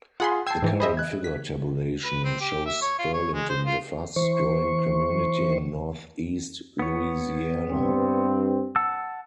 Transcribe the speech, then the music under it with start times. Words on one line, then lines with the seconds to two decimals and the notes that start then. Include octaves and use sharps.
The current figure tabulation shows Sterlington the fastest-growing community in Northeast Louisiana.
0.20 F4 G#4 F#5 G#5 B5 C6
0.46 G5 A5 E6 G#6 C7
0.62 G#2 E3
0.80 G#4 C5 D#5 E5 B5
0.97 F#6 G#6
1.24 B6
2.05 B4
2.24 C4
2.40 G4
2.66 E5
2.82 C#5
2.99 F4
3.13 C#5
3.33 G#3
3.49 C5
3.66 F4
4.16 E3 C5 C#6
6.79 B3 C#5
7.71 G2 C4
8.76 F#5 A5 E6